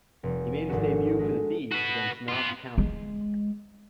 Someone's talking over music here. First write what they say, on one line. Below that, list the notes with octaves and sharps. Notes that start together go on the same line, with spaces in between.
He made his debut for the Bees against Notts County.
F1 G3
G#1 A3 D4 F#4
G#3 A3
F#4 B4
B3 F4
G#3